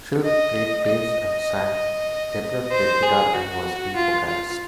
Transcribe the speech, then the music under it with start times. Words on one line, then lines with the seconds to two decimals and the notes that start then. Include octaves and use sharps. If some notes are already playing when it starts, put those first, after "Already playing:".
Schilf played bass and sang; Deibler played guitar and was lead vocalist.
0.24 D#5
0.86 D#5
2.72 C5
3.02 G#4
3.33 F#4
3.95 F4
4.26 F4